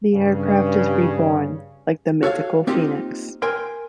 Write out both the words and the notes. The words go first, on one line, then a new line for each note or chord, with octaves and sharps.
The aircraft is reborn, like the mythical Phoenix.
G2 C#3
F#4 A4 C#5 D#5 F5
A#3 C4 D#4 F4 G4
A#4 G5 G#5 C6